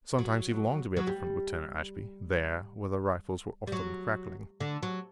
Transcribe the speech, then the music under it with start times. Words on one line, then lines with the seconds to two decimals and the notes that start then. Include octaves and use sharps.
Sometimes he longed to be at the front with Turner Ashby, there where the rifles were often crackling.
0.18 F#3
0.97 F#3
1.07 G3
3.67 G3
3.72 F#3
4.60 D3
4.83 F#3